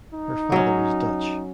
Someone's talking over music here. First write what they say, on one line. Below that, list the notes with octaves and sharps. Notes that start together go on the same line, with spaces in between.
Her father is Dutch.
D#4
F#3 C#4